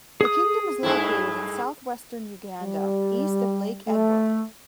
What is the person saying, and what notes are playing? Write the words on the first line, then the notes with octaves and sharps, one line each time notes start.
The kingdom is located in south-western Uganda, east of Lake Edward.
G#4 D#6
G2 A3 E4
G3
A3